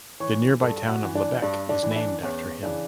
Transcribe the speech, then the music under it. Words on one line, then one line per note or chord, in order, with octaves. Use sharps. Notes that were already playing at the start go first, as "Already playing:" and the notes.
The nearby town of Lebec is named after him.
E3 C#5
G2 A4
F#4
E3
D4
G2 D4
D4
E3
E4
D4
E2 C#4
C#3 E3 D4